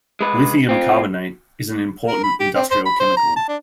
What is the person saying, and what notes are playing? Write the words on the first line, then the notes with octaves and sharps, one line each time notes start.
Lithium carbonate is an important industrial chemical.
G#3 B4
C4 F4
A#4
B5
G4
C4
C5
B5
C5
A#5
A5
D4